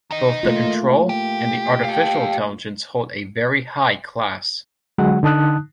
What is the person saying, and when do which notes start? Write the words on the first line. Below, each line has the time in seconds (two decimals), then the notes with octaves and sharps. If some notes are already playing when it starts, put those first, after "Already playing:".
Both the control and the artificial intelligence hold a very high class.
0.11 D#3 D#5
0.43 A3 A#3 F4
1.09 G4
1.84 F5 G5
4.98 D3 F#3 G#3 F#4 F#5
5.23 D3 D#4 A5 D#6 F#6